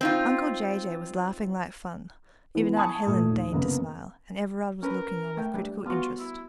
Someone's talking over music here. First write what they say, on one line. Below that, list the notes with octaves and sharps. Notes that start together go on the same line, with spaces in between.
Uncle Jay-Jay was laughing like fun; even aunt Helen deigned to smile; and Everard was looking on with critical interest.
C4 D#4 F4
E3 B3
G#5 A5 B5 C#6 D#6 G#6
A#2 A3
D#2
F#1 C3 A#3 B3
C#4 A#4 B4
A3 G5
G3 D4
B3 F4 F#4
E4